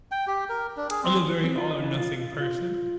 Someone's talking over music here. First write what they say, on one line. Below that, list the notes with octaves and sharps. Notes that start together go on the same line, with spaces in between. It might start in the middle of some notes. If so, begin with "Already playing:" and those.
I'm a very all or nothing person
G5
G4
A#4
D4
G#4
C4
C4
F4
D#5
E3
F4
F4